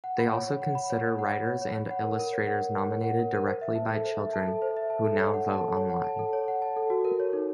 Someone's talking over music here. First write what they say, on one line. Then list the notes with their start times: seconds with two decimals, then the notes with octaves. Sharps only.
They also consider writers and illustrators nominated directly by children, who now vote online.
0.04 F#5
0.19 B5
0.33 C#5
0.48 C#5
0.62 F#5
0.75 B5
0.90 C#5
1.04 C#5
1.19 F#5
1.32 B5
1.47 C#5
1.62 C#5
1.75 C#5
1.91 F#5
2.04 A#4
2.19 A#4
2.33 C#5
2.47 F#5
2.61 A#4
2.75 A#4
2.91 C#5
3.04 F#5
3.19 A#4
3.34 A#4
3.47 C5
3.61 E5
3.75 A5
3.90 A4
4.04 C5
4.19 E5
4.33 A5
4.48 A4
4.62 C5
4.77 E5
4.90 A5
5.05 A4
5.19 C#5
5.34 F#5
5.48 A5
5.61 A4
5.77 C#5
5.90 F#5
6.04 A5
6.19 A4
6.33 C#5
6.48 F#5
6.62 A5
6.77 A4
6.90 F#4
7.05 A#4
7.20 C#5
7.33 D#4